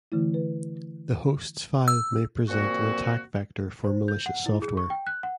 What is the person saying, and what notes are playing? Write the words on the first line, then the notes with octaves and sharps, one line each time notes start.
The hosts file may present an attack vector for malicious software.
D3 E3 A3 E4
B4
E6
A#2 F3 A#3 C4 F#4
C5
G6
F#5
E4
G#4
C#6
G5
F#6
F#5